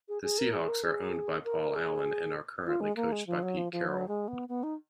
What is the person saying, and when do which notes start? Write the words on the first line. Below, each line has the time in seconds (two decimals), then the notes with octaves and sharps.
The Seahawks are owned by Paul Allen and are currently coached by Pete Carroll.
0.09 G#4
0.23 G#4
0.39 A#4
0.53 G#4
0.68 A#4
0.83 G#4
1.45 A#4
1.75 G#4
2.66 F4
2.81 G#3
2.96 A#3
3.12 G#3
3.27 F3
3.43 F#3
3.58 F3
3.72 F3
3.87 F#3
4.08 G#3
4.28 B3
4.49 B3
4.63 D#4